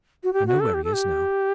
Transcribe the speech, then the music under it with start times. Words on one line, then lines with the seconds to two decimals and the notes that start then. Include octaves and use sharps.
I know where he is now.
0.24 F#4
0.33 G4
0.47 F#4
0.60 A4
0.74 G4
0.84 A4
0.93 G4